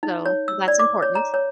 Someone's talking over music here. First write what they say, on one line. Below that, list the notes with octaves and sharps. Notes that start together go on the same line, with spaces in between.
So, that's important.
D#4
C#5
E6
D5
D6
C#5
A#5
C#5